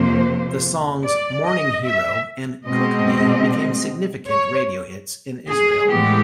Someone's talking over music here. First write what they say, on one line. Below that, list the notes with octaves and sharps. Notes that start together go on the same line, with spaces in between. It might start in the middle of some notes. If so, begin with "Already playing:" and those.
The songs "Morning Hero" and "Cook Me" became significant radio hits in Israel.
Already playing: F2 C3 F3 A#3 C5
D5
D#5
E5
B2 G#3 C4 D#5
C#5
G#4
A2 E3 G#3 B3 G4